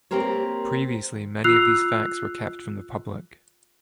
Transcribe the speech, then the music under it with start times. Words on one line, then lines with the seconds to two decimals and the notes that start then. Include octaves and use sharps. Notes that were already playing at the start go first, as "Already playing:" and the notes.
Previously many of these facts were kept from the public.
0.11 A#3 C4 G4 A#4 C5 C#5
1.44 F4 E6 F#6 C7 F7